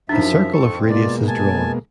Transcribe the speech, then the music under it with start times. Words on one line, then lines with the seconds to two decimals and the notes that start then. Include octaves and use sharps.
A circle of radius is drawn.
0.09 F#2 F3 D4 D#4 E5
0.53 F2 C4 A4 C#6
0.89 B2 G#3 A#3 F4 D5
1.27 G#5 A5